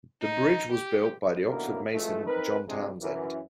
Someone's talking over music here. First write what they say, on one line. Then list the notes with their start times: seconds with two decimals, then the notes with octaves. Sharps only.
The bridge was built by the Oxford mason John Townesend.
0.21 D#4
0.71 G4
1.49 F#2 B2 D3 A#3 E4 A#4
1.92 A1 F3 G#3 A3
2.26 C4 D#4 A#4 B4
2.68 F2 C3 G#3 C4 D4
3.01 F#2 E3